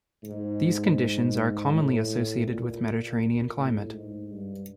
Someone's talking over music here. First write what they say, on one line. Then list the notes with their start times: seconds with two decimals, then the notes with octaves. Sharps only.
These conditions are commonly associated with Mediterranean climate.
0.23 G#2
1.72 A2
2.46 A#2
3.57 A2
3.94 G#2
4.31 G2